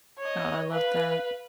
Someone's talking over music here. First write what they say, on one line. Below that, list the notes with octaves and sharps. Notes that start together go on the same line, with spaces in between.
Oh, I love that.
C#5 D#5
B4 F5